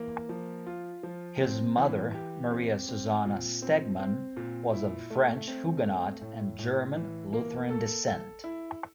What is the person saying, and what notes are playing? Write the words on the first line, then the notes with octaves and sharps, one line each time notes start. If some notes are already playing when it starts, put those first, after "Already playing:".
His mother, Maria Susanna Stegmann, was of French Huguenot and German Lutheran descent.
Already playing: E3 A#3
F3
F4
F3
C4
E3
G4
C4
C4
A#2
C4
C4
A#2
E4
A3
C4
A3
A2
A2
E3
A#3
A4
A4
E4